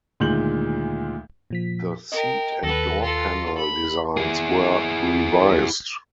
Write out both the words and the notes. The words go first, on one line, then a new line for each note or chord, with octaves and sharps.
The seat and door panel designs were revised.
D2 A#2 D#3 G#3 G6 F#7
A#2 F3 B6
A#4 D#5 G5
D#2 A4 B4 A#6
F4 A4
B5
E4 G#4